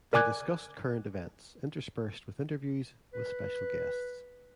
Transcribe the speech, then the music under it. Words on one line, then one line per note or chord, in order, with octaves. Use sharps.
They discussed current events, interspersed with interviews with special guests.
A#4 D5 G#5 D6 F#6 G#6
B4